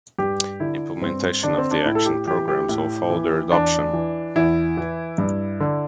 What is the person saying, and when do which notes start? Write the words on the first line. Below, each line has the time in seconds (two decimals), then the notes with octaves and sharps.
Implementation of the action programmes will follow their adoption.
0.18 G2 G4
0.60 D3 E4
1.02 G2 C4
1.43 D3 D4
1.58 C4
1.71 D4
1.85 A2 E4
1.95 A4
2.06 G4
2.26 E3 G4
2.48 G4
2.69 A2
3.10 E3
3.52 E2 D4
3.93 E3
4.36 E2 E4
4.77 E3
5.18 G2
5.60 D3